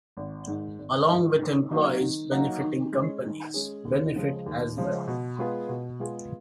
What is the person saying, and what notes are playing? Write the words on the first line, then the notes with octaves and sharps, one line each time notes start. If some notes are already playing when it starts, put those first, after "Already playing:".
Along with employees benefiting, companies benefit as well.
G#1
G#2 D#3
G#1
G#2 D#3
D#3
F#3 A#3 D#4 F#4
D#3
F#3 A#3 D#4 F#4
D#3
G#3 C#4 G#4
D#3
G#3 C#4 G#4
D#2
C#3 F3 G#3
D#2
C#3 F3 G#3
B2
G#3 B3 F4 G#4
B2
G#3 B3 F4 G#4